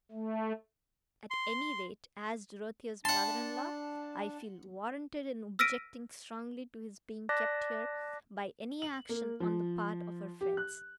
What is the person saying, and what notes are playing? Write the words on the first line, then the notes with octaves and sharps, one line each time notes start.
At any rate, as Dorothea's brother-in-law, I feel warranted in objecting strongly to his being kept here by any action on the part of her friends.
A3
C6
D4 F#5 A5 C6
E6 F6 A#6 B6 D7 D#7
D5 A5 D6 F#6 A#6 B6
F#7
A#3
F3
G4
F#6